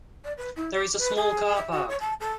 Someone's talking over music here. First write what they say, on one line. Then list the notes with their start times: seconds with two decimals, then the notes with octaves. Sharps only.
There is a small car park.
0.24 D5
0.37 B4
0.56 E4
0.75 D6
0.98 B4
1.16 G#4
1.56 E5
1.71 F#4
1.89 C#5
2.00 A5
2.20 A4